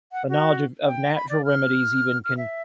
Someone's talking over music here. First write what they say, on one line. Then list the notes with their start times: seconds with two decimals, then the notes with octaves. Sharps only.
The knowledge of of natural remedies even can
0.12 F#5
0.29 F#4
0.86 G5
1.15 B5
1.29 D5
1.45 F6
2.24 F6
2.38 E5